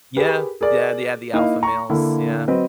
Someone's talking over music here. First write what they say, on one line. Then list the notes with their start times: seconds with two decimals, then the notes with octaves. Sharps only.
Yeah. Yeah, they have the alpha males. Yeah.
0.17 G4 G#4 A#4 B4
0.61 G#4 A#4 D5
1.33 A#3 D#4 E4 D#5 F5
1.63 A#5 C#6
1.90 D3 A#3 E4
2.48 F#3 C4 B4 D#5